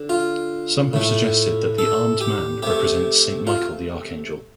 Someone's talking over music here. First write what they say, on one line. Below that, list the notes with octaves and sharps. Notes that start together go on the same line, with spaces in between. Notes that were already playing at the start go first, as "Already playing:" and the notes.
Some have suggested that the 'armed man' represents Saint Michael the Archangel.
Already playing: D3
F4
A2 A3
A4
G4
C3 A3 G4
F4